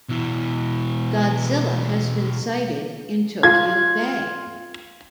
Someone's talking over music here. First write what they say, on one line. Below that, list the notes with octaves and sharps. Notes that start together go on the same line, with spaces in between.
Godzilla has been sighted in Tokyo Bay.
B2 E3
F4 G#6